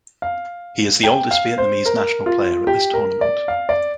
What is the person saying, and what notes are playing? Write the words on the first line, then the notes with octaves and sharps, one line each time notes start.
He is the oldest Vietnamese national player at this tournament.
F5
G5
F5
C5
A#4
F4
G4
A#4
D5
F5
D5